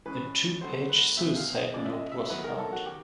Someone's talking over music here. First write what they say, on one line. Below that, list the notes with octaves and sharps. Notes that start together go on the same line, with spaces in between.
A two-page suicide note was found.
E3 G#3 C#4 B4
D3 F#3 B3 C5
B4
B2 G#3 C4 E5
F5
D#5
C#3 F3 G#3 C#4 D5
E5
D#5
E5
D#3 F#3 B3 B4
A#4
A4
F#4
D#3 G4